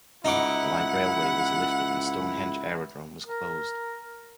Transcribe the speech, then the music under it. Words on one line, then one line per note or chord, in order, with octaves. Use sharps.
The light railway was lifted and Stonehenge Aerodrome was closed.
C#2 D#4 E4 F#5 D6
A#4